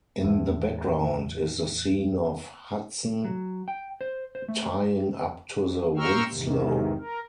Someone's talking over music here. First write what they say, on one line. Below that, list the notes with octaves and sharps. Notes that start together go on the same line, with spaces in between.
In the background is the scene of "Hudson" tying up to the "Winslow".
E2 A2
F#3
G5
C5
C5
A3
G5 A#5 C6 C#6 E6 F6
E2 G#2 C3 D#3
A#4